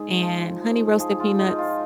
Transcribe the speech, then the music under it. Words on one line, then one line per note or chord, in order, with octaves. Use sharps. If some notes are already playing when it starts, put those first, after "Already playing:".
and honey roasted peanuts.
Already playing: G#2 G#4
F3
G#2
F3 G#4
F4
G#2 D#4
F4